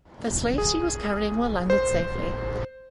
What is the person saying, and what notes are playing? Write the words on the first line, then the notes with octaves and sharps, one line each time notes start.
The slaves she was carrying were landed safely.
G#4
C5